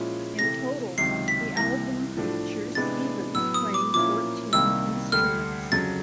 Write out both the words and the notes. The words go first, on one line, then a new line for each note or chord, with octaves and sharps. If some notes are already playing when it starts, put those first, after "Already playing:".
In total the album features Stevens playing fourteen instruments.
Already playing: A#2 F3 G#3 C#4 E4
C3 E3 A3 A#6
C#2 C3 D#3 F#3 C7
B6
C2 C3 E3 A#6
A2 F3 A3 D4
C3 E3 G#3 B3 D4 A6
A2 F#3 B3 E6
D#6
D6
A#2 F3 A#3 C#4 E4 D6
C2 C3 D#3 G3 A#3 E6
D2 D3 G3 F6
F2 C#3 F#3 A6